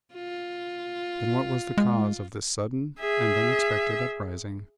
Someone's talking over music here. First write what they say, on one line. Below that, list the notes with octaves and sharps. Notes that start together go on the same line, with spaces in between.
Then, what was the cause of this sudden and unexpected uprising?
F4
G#3
G#4 E5